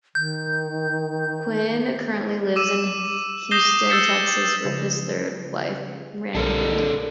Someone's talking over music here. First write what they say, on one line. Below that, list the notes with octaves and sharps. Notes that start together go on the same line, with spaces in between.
Quinn currently lives in Houston, Texas with his third wife, Rennie.
D#3 G6
D6 E6 D#7 E7
D#6 G6 A#6 C7 E7 G7
E6 G6 A6 B6 C#7 E7
C#3 F3 G#3
B1 G3 D4 A4 A#4